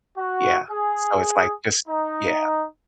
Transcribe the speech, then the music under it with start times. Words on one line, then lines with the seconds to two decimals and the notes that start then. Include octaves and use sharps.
Yeah. So it's like just yeah.
0.18 F#4
0.71 G#4
1.88 D#4